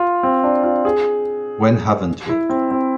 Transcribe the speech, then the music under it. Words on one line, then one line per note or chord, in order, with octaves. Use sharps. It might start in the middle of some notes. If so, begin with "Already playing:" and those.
When haven't we?
Already playing: F4
C4
D4
F4
G#4
E4
C4
C4